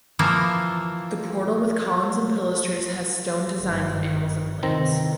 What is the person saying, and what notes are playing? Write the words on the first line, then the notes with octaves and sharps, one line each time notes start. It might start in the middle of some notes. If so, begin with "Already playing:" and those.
The portal with columns and pilasters has stone designs of animals and plants.
E3 F3 A#3
G#1 G2 D#3
C3 D#3 E3 C4 A#5